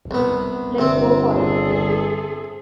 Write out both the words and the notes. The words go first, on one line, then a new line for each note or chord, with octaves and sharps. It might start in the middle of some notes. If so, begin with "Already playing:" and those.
Let's go for it.
C2 B3
G1 C3 C4
G#4 A4